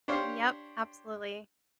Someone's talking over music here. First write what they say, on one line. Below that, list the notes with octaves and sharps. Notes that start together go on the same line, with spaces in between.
Yep, absolutely.
D4 G4 C5 C#5 F5